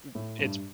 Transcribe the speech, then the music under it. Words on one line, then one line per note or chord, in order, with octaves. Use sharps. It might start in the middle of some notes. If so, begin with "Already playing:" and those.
m it's
A2
G2